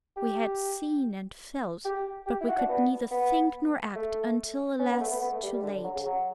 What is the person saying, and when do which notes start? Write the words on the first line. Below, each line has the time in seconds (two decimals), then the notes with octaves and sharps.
We had seen and felt, but we could neither think nor act, until, alas! too late.
0.17 G4
1.85 G4
2.27 G4
2.41 E4
2.48 F#4
2.58 D4
2.69 B3
3.11 B3
3.96 A3
4.79 C#4
4.90 B3
5.01 A3
5.11 B3
5.21 B3
5.32 A3
5.43 G3
5.53 G3
5.63 D3
5.84 F#3
5.95 C#3
6.06 F#3